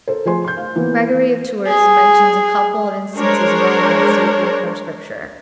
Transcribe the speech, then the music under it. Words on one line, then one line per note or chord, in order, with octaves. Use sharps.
Gregory of Tours mentions a couple of instances of omens taken from Scripture.
A4 A#4 C5
F3 A3 G#4 C5 G#5 C6
C6 G6
F5
E3 A#3 B3
G#4
G#3 D4 A#4 C5 C#5